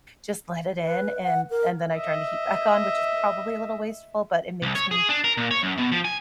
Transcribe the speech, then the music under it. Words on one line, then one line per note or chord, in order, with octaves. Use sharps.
just let it in and and then I turn the heat back on, which is probably a little wasteful, but it makes me
B4
F#5
A#4
D#5 E5
C2
C#5
G#4
D4
A#4
A#2
C#5
F#2
B2
F3
G#5